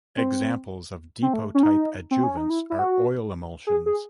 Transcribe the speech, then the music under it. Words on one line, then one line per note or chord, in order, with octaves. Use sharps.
Examples of depot type adjuvants are oil emulsions.
C4
C4
A3
C#4
D#4
C4
C#4
D#4
E4
E4
F#4
G#4
G#4